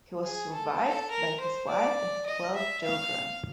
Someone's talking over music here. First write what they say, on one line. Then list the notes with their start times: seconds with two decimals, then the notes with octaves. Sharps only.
He was survived by his wife and twelve children.
0.24 G#4
0.53 A4
0.82 A4
1.11 A#4
1.40 C5
1.69 D5
2.26 D#5
2.55 E5
2.84 F5